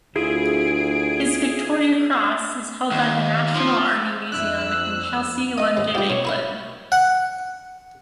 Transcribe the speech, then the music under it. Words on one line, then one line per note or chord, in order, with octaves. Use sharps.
His Victoria Cross is held by the National Army Museum in Chelsea, London, England.
D2 E4 F4 G#4 D7
D#2
F3
F2 D4 E4 E6 F#6
A3 D#5 D#6
D#2 G#2
F3 G3 G4
B2 C#5
D#4 B4 D#5
F#5